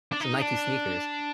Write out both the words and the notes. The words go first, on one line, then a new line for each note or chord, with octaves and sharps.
Some Nike sneakers.
D4
D#4
D4